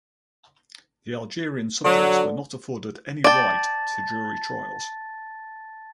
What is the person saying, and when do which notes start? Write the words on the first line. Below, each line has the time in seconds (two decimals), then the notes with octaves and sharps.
The Algerian "subjects" were not afforded any right to jury trials.
1.85 D3 F#3
3.24 D5 G5 A5 A6